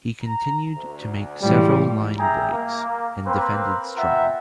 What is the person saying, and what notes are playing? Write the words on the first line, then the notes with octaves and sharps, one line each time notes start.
He continued to make several linebreaks and defended strong.
A#5
D2
A2 E3 F3 G3 G#3 C#4 F4
G3 G#4 E5 G5 A#5
A#3
A#3 C4 B4
B3 F4 E5 F#5 G5 A#5